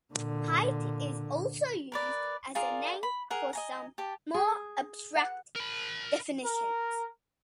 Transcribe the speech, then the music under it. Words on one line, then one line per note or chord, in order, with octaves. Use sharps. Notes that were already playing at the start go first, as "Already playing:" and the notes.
Height is also used as a name for some more abstract definitions.
A#2 D3
A#4 B4 D5
F4 G#4 A#4 D5
B5
G#4 A#4 F#5
D#5 G#5 A#5
G4 A5
G#4
F#5
A#4 B5
A#4